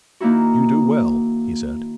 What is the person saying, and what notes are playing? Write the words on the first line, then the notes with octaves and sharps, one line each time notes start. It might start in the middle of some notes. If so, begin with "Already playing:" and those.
"You do well," he said.
D#3 A#3 D#4 E4 F#4